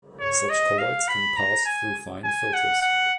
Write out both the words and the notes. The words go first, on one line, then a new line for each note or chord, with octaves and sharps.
Such colloids can pass through fine filters.
C#5
D#5
F5
B5
A#5
G#5
G#5
F#5
F#5